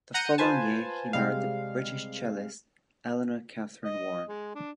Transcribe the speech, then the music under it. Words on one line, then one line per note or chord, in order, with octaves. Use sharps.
The following year he married the British cellist Eleanor Catherine Warren.
F#5 A#5 G6 A#6 C#7 D#7
F4 B4 C5 G#5 A5
C3 G3 G#3 F5
D#5
G#3
D4